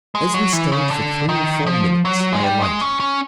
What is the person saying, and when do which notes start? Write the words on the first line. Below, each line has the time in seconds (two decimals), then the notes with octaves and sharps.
As we staid for three or four minutes, I alighted.
0.15 G#3
0.34 F#3
0.53 E3
0.72 C#3
0.91 D3
1.29 D#3
1.66 F3
2.05 F#3
2.33 G#3
2.43 G3
2.62 G#3
2.81 C#4
3.00 C#4